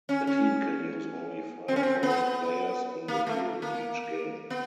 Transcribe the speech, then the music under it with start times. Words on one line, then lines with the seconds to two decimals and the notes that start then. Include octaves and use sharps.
A team can use only five foreign players on the field in each game.
0.09 C#4
0.27 C#4
1.68 C4
1.76 C#4
1.83 C4
2.03 B3
3.08 A#3
3.27 A3
3.62 A#3
4.50 B3